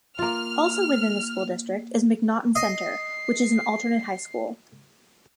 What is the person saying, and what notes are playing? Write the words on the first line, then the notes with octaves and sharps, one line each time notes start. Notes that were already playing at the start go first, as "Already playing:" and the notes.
Also within the school district is McNaughton Centre which is an Alternate High school.
A#3 F4 F6
D#5 C7